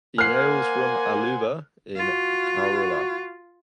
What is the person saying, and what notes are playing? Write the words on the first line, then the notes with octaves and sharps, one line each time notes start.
He hails from Aluva in Kerala.
A#3 C5 F#5 G#5 F6 F#6 C7
F4 F#4